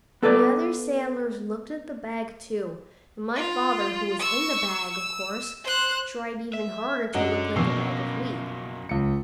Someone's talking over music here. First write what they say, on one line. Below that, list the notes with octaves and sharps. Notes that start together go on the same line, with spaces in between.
The other sailors looked at the bag too, and my father, who was in the bag, of course, tried even harder to look like a bag of wheat.
B3 A4 B4 D5
F4
C#6 E6
E6
C5 F#6
E5
F#2 D3 F#3 D#5 F#5
A#1 F#2 B2 A#3 C#6 E6 C7
C#2 C#7